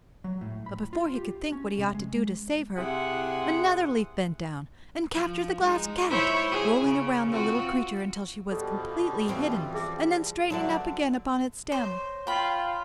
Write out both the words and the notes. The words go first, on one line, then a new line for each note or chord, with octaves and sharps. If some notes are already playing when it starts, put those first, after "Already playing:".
But, before he could think what he ought to do to save her, another leaf bent down and captured the Glass Cat, rolling around the little creature until she was completely hidden, and then straightening up again upon its stem.
F#3
A2
B5
F4
G4
C#4
C3
G#3
C3 E4 G#4 F#5 C6
F3
G#3 D#4
E4 C5 C#5
G#4
C#3
C4 F4 F#4
B2 F3 G3 A4
E3 C4 C#4
G#4 E5
G2 A#2 D3 F#3 A3 C5 D5
C5 C#5 C6 A#6
F4 G5 B5